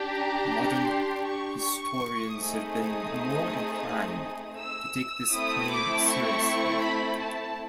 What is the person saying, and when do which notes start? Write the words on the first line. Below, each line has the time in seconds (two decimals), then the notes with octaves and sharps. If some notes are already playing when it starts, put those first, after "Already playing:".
Modern historians have been more inclined to take this claim seriously.
Already playing: D4 G4
0.10 A#5
0.86 C6
1.22 C#6
1.60 C#6
2.34 A3 C4 D#4 G#4 D#6
4.58 E6
5.33 A3 C4 E4 D#6
5.71 D6
6.08 C#6
6.83 B5
7.20 A5